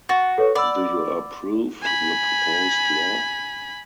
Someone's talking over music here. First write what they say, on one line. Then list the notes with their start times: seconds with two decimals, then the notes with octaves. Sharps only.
Do you approve the proposed law?
0.09 F#4 A6
0.38 A4 B4 C#5
0.55 D5 F#5 B5 E6
1.82 G#5 B5